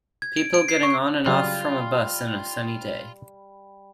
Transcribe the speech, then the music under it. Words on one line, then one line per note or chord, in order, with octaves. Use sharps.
People getting on and off from a bus in a sunny day.
G#6
D7
D7
C7
C#6
C#3 F#3 G3 F4